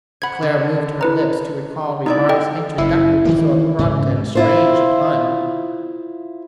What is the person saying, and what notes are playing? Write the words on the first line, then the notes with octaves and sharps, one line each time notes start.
Clara moved her lips to recall remarks introductory to so abrupt and strange a plunge.
C5 F#5 B5 G#6
D3
E4 B4 A#5
G#3 D#4 E4 D5
D3 A4 D#5 G5
F#1 C3 E4
D#3 E3 A#3
G#2 C#3
E4 F4 C5